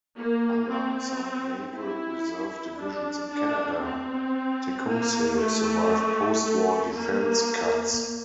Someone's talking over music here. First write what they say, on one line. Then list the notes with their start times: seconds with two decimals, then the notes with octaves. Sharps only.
Unlike some Naval Reserve divisions in Canada, "Tecumseh" survived post-war defence cuts.
0.17 A#3
0.70 C4
1.73 E4
2.79 D4
3.30 D4
3.83 C4
4.87 A#3
5.39 A3
6.44 A3
6.96 A#3